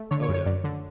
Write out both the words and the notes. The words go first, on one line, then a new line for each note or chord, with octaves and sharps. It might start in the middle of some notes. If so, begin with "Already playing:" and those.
Oh, yeah.
Already playing: A3
D3 C#5
C#5
F#2
C#5
F#2 D5
D3